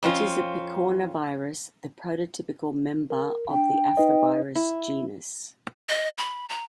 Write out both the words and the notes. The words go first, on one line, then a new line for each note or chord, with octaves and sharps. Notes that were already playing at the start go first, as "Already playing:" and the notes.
It is a picornavirus, the prototypical member of the "Aphthovirus" genus.
F2 C4 C#4 F4
A#4
D4 G5
D#4 B4 D#5
E4
D#5
B5
A#5